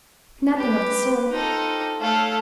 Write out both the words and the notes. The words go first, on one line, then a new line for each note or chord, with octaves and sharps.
Nothing of the sort!
G4 B4
D#4 F4 G4 A4 C5
A3 A4 C#5 F5